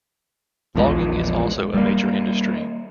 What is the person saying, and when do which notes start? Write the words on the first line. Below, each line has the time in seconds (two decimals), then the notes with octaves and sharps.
Logging is also a major industry.
0.75 A#1 E2 F3 G#3
1.74 G3 A#3